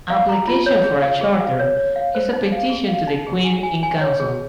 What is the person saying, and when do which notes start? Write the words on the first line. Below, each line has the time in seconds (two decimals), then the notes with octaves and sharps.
Application for a charter is a petition to the Queen-in-Council.
0.10 F5
0.29 A#5
0.48 F4
0.66 C#5
0.84 G#4
1.02 F5
1.21 G#4
1.40 F5
1.59 C#5
1.77 C#5
1.96 F5
2.15 C5
2.33 D#4
2.52 F5
2.70 G#4
2.89 F5
3.07 D#4
3.27 G#4
3.44 G#5
3.63 G#5
3.83 G#5
4.01 C#5
4.20 G#4